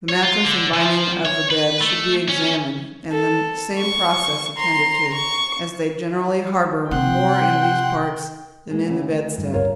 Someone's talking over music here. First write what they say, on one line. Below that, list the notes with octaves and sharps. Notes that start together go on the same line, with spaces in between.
The mattress and binding of the bed should be examined, and the same process attended to, as they generally harbor more in these parts than in the bedstead.
C#5
F4
D3
F3
C#5
B4
A3
C#4
A4
C#6
A#5 C6
C#6
C3 F#5 G5 C6
G#3 A#3
D2 C#3
D2
G2
D1 G2 F4 A#4 C#5